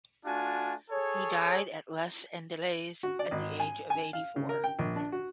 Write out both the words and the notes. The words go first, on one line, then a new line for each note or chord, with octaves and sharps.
He died at Les Andelys at the age of eighty-four.
A3 D4 F4 F#4 G#5
G#4 A4 C#5
F#4
D5
G#1
G#5
G#5
F5
C#3
A#4
G5
A#1
D4
F#4